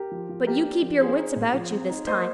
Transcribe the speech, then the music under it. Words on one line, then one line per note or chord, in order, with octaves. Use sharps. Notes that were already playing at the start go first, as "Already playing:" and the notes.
But you keep your wits about you this time.
Already playing: G4 A#4
F3
F3
A#3 G4 A#4
D4
F3
C4 G#4 C5
D#4
A#2
F3
C4
D#4
A#3 C5 D#5